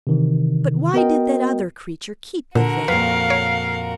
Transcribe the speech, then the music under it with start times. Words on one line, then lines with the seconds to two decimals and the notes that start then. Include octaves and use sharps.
But why did that other creature keep the thing?
0.07 C3 D#3 E3
0.94 B3 F#4 A#4 D#5 G5
2.55 A#2 D3 F#4 A#4
2.88 F2 A#2 B4 F5
3.30 C#5